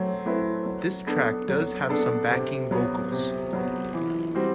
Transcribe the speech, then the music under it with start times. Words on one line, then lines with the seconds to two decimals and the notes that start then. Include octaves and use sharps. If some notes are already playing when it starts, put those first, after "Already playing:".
This track does have some backing vocals.
Already playing: F#3 A3 C4
0.25 A3 C4 E4 B4
0.66 F#3
1.07 B3 D4 A4
1.49 F#3
1.89 B3 D4 A4
2.30 C3
2.71 F#3 B3
3.12 C3
3.53 F#3 B3
3.94 E3
4.35 G3 C4 F#4